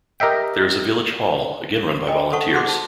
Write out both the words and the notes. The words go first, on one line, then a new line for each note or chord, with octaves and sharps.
There is a Village Hall, again run by volunteers.
G4 A#4 D#5 E5 G5
D#5 G5 G#5
A4 C5 C#5 F#5 A5 C#6
F#4 G#4 F#5 C6 D6
C5 A5